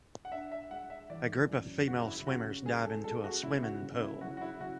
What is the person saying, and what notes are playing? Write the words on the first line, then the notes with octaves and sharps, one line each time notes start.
A group of female swimmers dive into a swimming pool.
F#5
D4 E5
E5
G#3 F#5
E5
E3 D5
F#2
C#3 F#4
E4
C#3 F#4
G#3 G#4
A4
G#3 A4
F#4
C#3 E4
F#4
C#3
E4
F#3 F#4
F#4
E4
C#3 F#4